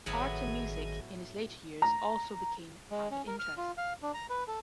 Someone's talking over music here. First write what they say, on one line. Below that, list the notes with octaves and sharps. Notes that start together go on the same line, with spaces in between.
Art and music, in his later years, also became avid interests.
G#1 A2 D#3 F#3 B3 G#4
A#5
G#3
C#4
A#4
F6
F4
F5
D4
A#5
B4
A4